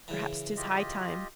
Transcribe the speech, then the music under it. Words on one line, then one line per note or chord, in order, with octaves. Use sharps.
Perhaps 'tis high time.
C#3 E3
F4 G4 D#5